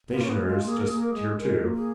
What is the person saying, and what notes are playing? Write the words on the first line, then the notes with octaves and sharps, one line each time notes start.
Stationer's just here too.
B3 F4
A#3 C#4
B3
G#3
F4
A#3 G#4
A#4
A#3 G#4
A#4
G#3 G#4
G#3 A#4
A#3
G#4